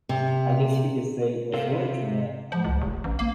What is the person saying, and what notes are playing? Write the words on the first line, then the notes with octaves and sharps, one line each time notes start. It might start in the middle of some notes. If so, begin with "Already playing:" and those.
I guess you could say before internet, um,
C3
C3 A4 C5 F5
F3
C#2
F1
A1
A#3